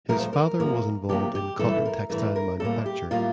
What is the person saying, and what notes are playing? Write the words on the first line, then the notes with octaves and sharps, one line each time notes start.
His father was involved in cotton textile manufacture.
A#2 F3 A3 A#4
C5
A#4
C3 F3 A#3
C3 F3 A#3 G4
G4
G2 E3 A3 A4
A#4
G2 E3 A3 A#4
A#4
A2 G3 A#3 A4
G4
A2 G3 A#3 F4